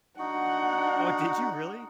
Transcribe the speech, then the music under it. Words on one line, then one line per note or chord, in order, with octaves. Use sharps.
Oh, did you really?
D4 D#4 F#4 F#5